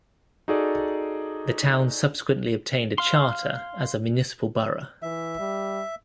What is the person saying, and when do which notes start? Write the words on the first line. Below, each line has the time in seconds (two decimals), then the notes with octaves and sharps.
The town subsequently obtained a charter as a municipal borough.
0.48 D#4 F#4 G#4 A4 D5
2.98 F5 C6
5.02 E3 E5
5.39 G3